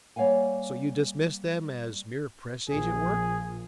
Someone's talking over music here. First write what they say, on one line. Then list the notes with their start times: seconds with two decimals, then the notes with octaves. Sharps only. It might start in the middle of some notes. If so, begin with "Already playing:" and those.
"So you dismissed them as mere press agent work?"
0.16 G3 A#3 C#5 F5 F#5 G#5
2.69 A#1 A#2 F3 G#4